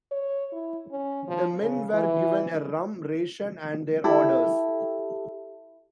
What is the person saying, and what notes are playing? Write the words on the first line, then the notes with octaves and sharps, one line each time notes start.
The men were given a rum ration and their orders.
C#5
E4
C#4
F3
C#3
E3
E4 G4 A4